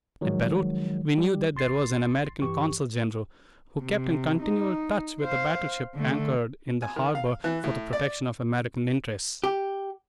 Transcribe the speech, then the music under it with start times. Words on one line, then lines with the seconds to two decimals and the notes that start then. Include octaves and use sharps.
At Beirut we knew that there was an American Consul-General, who kept in continual touch with the battleship anchored in the harbor for the protection of American interests.
0.21 D#3 F3 F#3 G#3
1.18 G3 G4
1.55 G#1 C6 A6 C7
2.42 G2 E3 G4 C#6
3.82 C3
4.43 D#4
5.21 C5 F5
5.95 D3 A3
6.82 G#5
6.96 D#3
7.15 F5
7.44 E3
7.64 A2
7.93 D5
9.44 G4